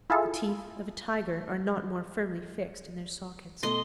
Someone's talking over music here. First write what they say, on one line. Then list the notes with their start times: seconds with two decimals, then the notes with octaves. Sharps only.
The teeth of a tiger are not more firmly fixed in their sockets.
0.10 E4 F4 G#4 A4
3.63 B2 A3 D#5 C6